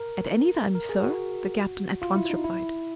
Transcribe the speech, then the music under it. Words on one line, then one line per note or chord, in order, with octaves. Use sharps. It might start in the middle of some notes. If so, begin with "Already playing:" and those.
"At any time, sir," the Captain at once replied.
Already playing: A#4
A#4
G#4
F#4
F4
E4
D#4
E4